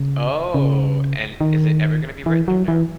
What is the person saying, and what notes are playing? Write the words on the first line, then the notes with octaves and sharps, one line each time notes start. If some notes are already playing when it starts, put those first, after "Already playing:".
Oh, and is it ever gonna be written or no?
Already playing: C#3
C#3
D#3
E3
F#3
E3